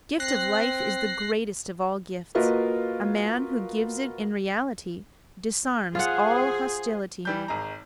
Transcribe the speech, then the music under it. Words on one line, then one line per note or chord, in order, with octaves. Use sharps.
Gift of life is the greatest of all gifts; a man who gives it in reality, disarms all hostility.
C4 F#6 A#6 C7
A#3 F4 F#4 A#4 B4 D#5
F4 G#4 C5 F5 F#5
E3 G3 G6
G#1 G#3 A#5